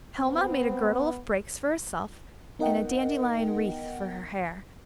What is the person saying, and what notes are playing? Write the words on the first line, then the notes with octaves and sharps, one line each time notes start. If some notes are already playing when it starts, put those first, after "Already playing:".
Helma made a girdle of brakes for herself, and a dandelion wreath for her hair.
B3 C4
B3 D#4 A#4 D#5 F#5 G5